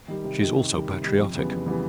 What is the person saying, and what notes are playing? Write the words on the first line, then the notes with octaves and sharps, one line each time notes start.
She is also patriotic.
D#3 G3
C3
D#3 G3
C3
D#3 G3
C3
D#3 G3
F2
C#3 E3 G3 B3
F2
C#3 E3 G3 B3